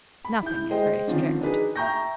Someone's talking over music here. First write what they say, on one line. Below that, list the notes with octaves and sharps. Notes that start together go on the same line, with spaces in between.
Nothing is very strict.
B5
E4 G6
G#3 C5 D#5 G5
D3 D#3 F3 C4 C#4
D4 D#4 G#4 B4
E5 G5 A#5 C#6 G6 A#6